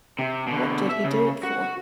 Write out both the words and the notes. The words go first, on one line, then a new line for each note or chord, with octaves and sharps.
What did he do it for?
C3
B2 D3
E5
C#3
F#4